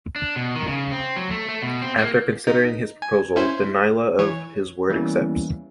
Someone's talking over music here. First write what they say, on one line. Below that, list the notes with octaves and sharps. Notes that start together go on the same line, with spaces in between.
After considering his proposal, the Nyla of his world accepts.
D4
B2
D#3
C#3
C4
F#3
A3
A3
B2
C4
A#3
D#4
G#5
C#4 E4 C5
E3 C#5
E3 G3 A#3 B3 C#4 E4